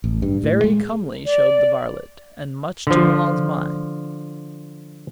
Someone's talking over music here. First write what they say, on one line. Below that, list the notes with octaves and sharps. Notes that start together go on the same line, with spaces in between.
Very comely showed the varlet, and much to Milon's mind.
A1
G2
A2
G#3
D5
D3 F3